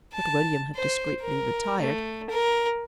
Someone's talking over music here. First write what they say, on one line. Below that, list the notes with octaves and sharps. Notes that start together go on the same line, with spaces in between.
But William had discreetly retired.
A5
C5
A#4
A3
A#4